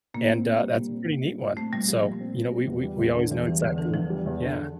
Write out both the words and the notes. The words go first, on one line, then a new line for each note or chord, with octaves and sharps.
and, uh, that's a pretty neat one. So, you know, we we we always know exactly Yeah.
A#2 A#3
C4
A#2
G3
A#2
C4
A#2
G3
A#2
A3 C4
A#2 G3
F3 G3
A#2
C4
A#2
G3
E2
G3
E2
D3
E2 E3
E3 G3
E2 D3
D3 E3
E2 F3
G3
E2
D3